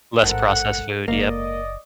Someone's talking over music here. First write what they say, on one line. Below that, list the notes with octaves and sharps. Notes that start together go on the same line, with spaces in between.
Less processed food. Yep.
A1 G#2 A4 A#4 F#5
F#1 A#3 D5 D#5